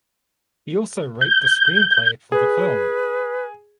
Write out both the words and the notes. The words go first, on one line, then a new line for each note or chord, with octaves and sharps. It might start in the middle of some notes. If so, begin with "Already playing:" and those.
He also wrote the screenplay for the film.
G6
G#4 B4